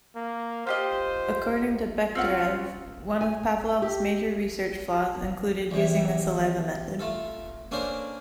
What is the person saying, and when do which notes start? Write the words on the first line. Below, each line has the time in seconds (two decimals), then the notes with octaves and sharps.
According to Bekhterev, one of Pavlov's major research flaws included using a saliva method.
0.16 A#3
0.67 F4 G4 C5 D#5
2.15 C4 C#4 F4 F#5
3.21 G#5
3.82 G4
5.71 E2 C3 E3
6.99 A3 F4 A4
7.71 A#3 C#4 D4 A4 A#4 C5